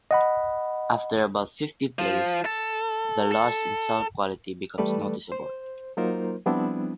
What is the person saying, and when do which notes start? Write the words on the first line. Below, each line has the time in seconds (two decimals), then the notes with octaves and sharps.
After about fifty plays the loss in sound quality becomes noticeable.
0.11 D#5 F#5 B5
1.99 F3
2.45 A4
3.32 A4
4.78 E3 G3 A3 A4 B4 D5
5.32 C5
5.97 F#3 A#3 D#4 F4 A#4 C5
6.46 F3 G3 B3 C4 D4 E4